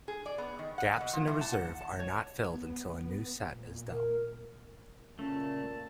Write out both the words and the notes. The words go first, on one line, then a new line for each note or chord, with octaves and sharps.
Gaps in the reserve are not filled until a new set is dealt.
G#4
D5
B3
D#3
F#5
B2
F3
E3
A5
F#5
A5
C#5
B3
A#2
A#4
A#2 C#3 A3 C#4 A5